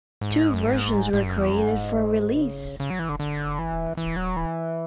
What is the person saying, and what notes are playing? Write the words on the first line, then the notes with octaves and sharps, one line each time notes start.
Two versions were created for release.
G#2
A2
G#2
F#2
G#2
G#2
F#2
E2
F#2
G#2
B2
C#3
C#3
F#3
E3
D3
D3
E3
E3
F#3
E3